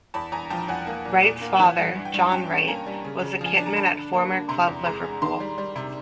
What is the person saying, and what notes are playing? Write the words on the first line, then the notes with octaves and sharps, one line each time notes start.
Wright's father, John Wright, was a kitman at former club Liverpool.
E2 A5 B5
E2 G#5 A#5
F3 G5 A5
E2 F#5 G#5
A#3
A#2
A#2
A#3
E3 F#5 G#5
G2
G2
G5
G2 G#5
C#4 G5 A5
C#4
A#3 G#5 A#5
G3
C#3
C#3
F3 G#5
D4 A5
A#5
D3 A5 B5
D3
A#3
D3
C3 A#5 C6
E2
G#3 A#5 C6
G#3
D#3 A#5 C6
G3
G3
C3